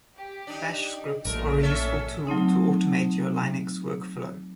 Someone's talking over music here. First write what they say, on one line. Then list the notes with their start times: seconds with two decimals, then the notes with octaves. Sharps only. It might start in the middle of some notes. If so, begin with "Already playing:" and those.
Bash scripts are a useful tool to automate your Linux workflow.
0.17 G4
0.47 D4 D#4
1.25 A#1 A#2 A3 A#4
1.63 C#4 A4 E5
2.27 F#3 A3 C4 D#4